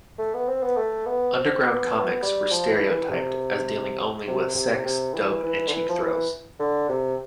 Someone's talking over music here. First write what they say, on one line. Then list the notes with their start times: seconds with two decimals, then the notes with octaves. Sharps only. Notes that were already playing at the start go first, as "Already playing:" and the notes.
Underground comics were stereotyped as dealing only with sex, dope and cheap thrills.
0.19 A3
0.34 B3
0.49 C4
0.63 B3
0.77 A3
1.06 B3
1.36 C4
1.64 B3
1.94 B3
2.23 G3
2.52 F3
2.72 E3
2.91 E3
3.10 C3
4.27 C3
4.55 C3
4.85 C3
5.14 E3
5.43 E3
5.67 D3
5.72 E3
5.89 F3
6.01 E3
6.60 D3
6.89 C3